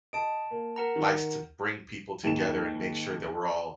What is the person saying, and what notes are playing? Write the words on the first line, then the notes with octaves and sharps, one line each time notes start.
likes to bring people together and make sure that we're all
D#5 A5 D7
A#3
A#4 F#5 A#5
D#3
D#2 G#2 E7